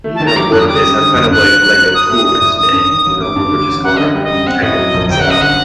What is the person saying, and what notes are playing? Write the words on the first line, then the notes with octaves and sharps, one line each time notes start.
you know, what it is." Have kind of like like a tourist day, you know, where we're just going around and checking things out,
A3
A5
D#3
A#5
F#3 D6
G2 F#6
D#6
G3 D6
D#6
F#2
D3
G1
G2 F#6
D3
F#3
G2
F#4 D#6
A3
D4
A2
A1 D#6
G2
D#3
A1
A3 D6
G2
D3
A1
F#2 F#5
D3 D#5
G3
D#5
F#2
C4 F#5
A2 D#5
F#3
A#1
G1 G5
F#5
F#2 D#5
D3 F#5